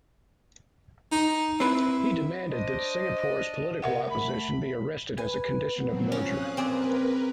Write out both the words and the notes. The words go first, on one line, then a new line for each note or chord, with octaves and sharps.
He demanded that Singapore's political opposition be arrested as a condition of merger.
D#4
C4 E4 B4
D4 C5 D5 D#5
C3 A#4 E5 F#5
A3 B5
B4 G#5
F3 F#3 B3 C4
F2 A#2 C#4 F5 D#6 F#6
C4 G#4 A#4 B4 D5